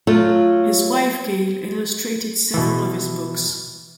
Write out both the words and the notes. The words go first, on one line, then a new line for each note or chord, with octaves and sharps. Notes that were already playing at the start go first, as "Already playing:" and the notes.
His wife Gail illustrated several of his books.
F#3 A3 F4
B2 E3